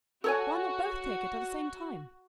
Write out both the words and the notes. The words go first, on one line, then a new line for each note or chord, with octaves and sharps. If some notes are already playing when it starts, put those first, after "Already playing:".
"Why not both take it at the same time?"
F#4 A4 C#5 G#5